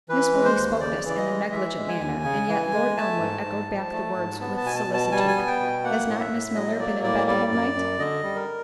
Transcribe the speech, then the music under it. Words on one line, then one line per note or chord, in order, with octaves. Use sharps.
Miss Woodley spoke this in a negligent manner, and yet, Lord Elmwood echoed back the words with solicitude, "Has not Miss Milner been in bed the whole night?"
E3 B4
G#3
C5
D#2
C#3 D5
E3 D5
D#5
G#3
E3 E5
G#3
G#5
D#2
C#3
E3
G#3
A3 A5
G#2
G#2
F3
A3
G#2
B3 A5
A5
B2 G#5
A5
B2
A5
G3 G#5
A5
G#5
B3
G5
B2
A#3 F#5
A2
E5
A2
F#3 D#5
A#3 D5
A2 D5
G3 D5
F#2
F#2
D3 D#5
G3
A#4